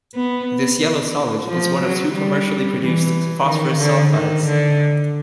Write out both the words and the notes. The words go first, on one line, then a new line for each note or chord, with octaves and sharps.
This yellow solid is one of two commercially produced phosphorus sulfides.
B3
F3
F#3
G3
E3
D#3
D3
D#3
D3